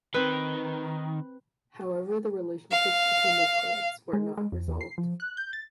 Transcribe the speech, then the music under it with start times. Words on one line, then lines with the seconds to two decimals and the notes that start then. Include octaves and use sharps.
However, the relationships between the clades were not resolved.
0.14 D#3 C4 B4
2.70 F5
4.13 G#3
4.37 G#3
4.52 F2
4.68 E2
4.81 C7
4.98 F3
5.20 F#6
5.37 G6
5.53 A6